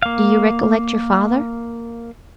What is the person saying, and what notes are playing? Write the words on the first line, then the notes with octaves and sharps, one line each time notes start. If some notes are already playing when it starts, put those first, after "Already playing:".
"Do you recollect your father?"
A#3 F5